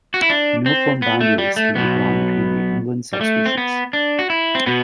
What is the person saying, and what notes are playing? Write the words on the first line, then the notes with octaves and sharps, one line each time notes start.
No firm boundaries can be drawn between the inland subspecies.
F#4
E4
D4
C4
B3
A3
G3
A3
B1 B2 B3
G3
A3
C4
B3
D4
F#4
E4
C4
B2 B3